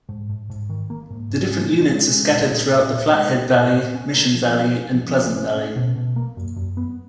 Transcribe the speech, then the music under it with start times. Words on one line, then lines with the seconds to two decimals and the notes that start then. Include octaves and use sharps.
The different units are scattered throughout the Flathead Valley, Mission Valley, and Pleasant Valley.
0.09 G#2
0.29 G#2
0.50 G#2
0.70 D#3
0.90 A#3
1.10 G#2
1.30 G#2
1.51 C#4
1.71 A#2
1.91 G#3
2.11 G#3
2.31 A#2
2.51 A#2
2.72 A#2
2.93 A#2
3.12 G#3
3.33 B3
3.54 A#2
3.73 A#2
3.94 C#4
4.14 A#3
4.34 F3
4.54 C#4
4.74 C#4
4.94 F3
5.15 C#4
5.35 C#4
5.55 C#4
5.76 B2
5.96 B2
6.16 A#3
6.37 F#2
6.56 F#2
6.77 B3